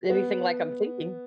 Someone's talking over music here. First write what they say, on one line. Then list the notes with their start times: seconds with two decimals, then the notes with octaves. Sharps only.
anything like I'm thinking
0.10 B3